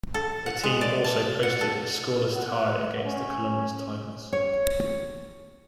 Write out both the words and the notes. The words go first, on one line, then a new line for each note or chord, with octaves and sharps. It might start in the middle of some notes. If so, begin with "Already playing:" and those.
The team also posted a scoreless tie against the Columbus Tigers.
A4
F#5
G#3
D5
A5
F#5
A4
F#5
C#4
C#5